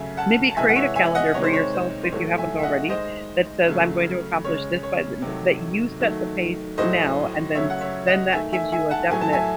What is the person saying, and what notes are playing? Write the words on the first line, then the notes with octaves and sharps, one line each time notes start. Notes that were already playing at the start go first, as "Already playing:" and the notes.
maybe create a calendar for yourself, if you haven't already, that says, "I'm going to accomplish this by the" that you set the pace now and then s then that gives you a definite
Already playing: C#3 F#3 A3 E5 G#5
F#5 A5
A5
C3 E3 G#3 E5 G#5
F#5
C#5 E5
E5 G#5
D#5 F#5
C3 D#3 G#3 C#5
C5
C#5
C5
C5
A2 F#3 A3 C#5
E5 G#5
E5
D#5 F#5
D#3 G#3 C5 D#5
C#3 F#3 A3
C#3 G#3 C#5
C#5
C3 D#3 F#3 A3
D#3 F#3 A3
A2 F#3 A3 C5 D#5
C#3 F#3 A3 C#5 E5
F#5
C#5 E5
D#5 F#5
D#3 A3 E5 G#5
E5 G#5
E5 G#5
F#5 A5
A2 F#3 A3 G#5
A5
E5 G#5